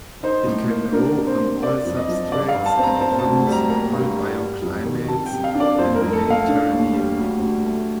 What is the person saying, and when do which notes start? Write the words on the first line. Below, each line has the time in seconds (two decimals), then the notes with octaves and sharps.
It can grow on all substrates and almost in all bioclimates in the Mediterranean.
0.23 D#4 C5
0.46 A2
0.70 A#3
0.92 D4 A#4
1.16 C3
1.27 C5
1.39 A#3
1.62 C4 D5
1.85 F2
1.96 D#5
2.08 F3
2.32 G2 D5
2.49 F5
2.54 G2
2.66 A5
2.77 C4
2.83 A#5
3.00 C4 A5
3.19 A5
3.23 D2
3.47 G3
3.52 A#5
3.70 A#3 A#5
3.93 G2
4.17 G3
4.39 G3
4.62 F2
4.85 D#3
5.08 C3 A5
5.26 G5
5.32 C3
5.44 F5
5.54 D4
5.60 D5
5.78 F2 C5
5.95 A#4
6.01 F2
6.13 A4
6.23 A3
6.30 F5
6.48 D4
6.70 D#2
6.93 G3
7.17 D2
7.39 D2
7.63 A3